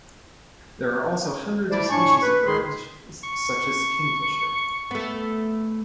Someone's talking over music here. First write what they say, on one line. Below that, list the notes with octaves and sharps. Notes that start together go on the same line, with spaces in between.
There are also hundreds of species of birds such as Kingfisher.
G3 A3 E4 C5 D5
A2 D4 G#5 C#6
B4
C#2 D#3 D#4 G#4 B5 C6
C#6
A3 B3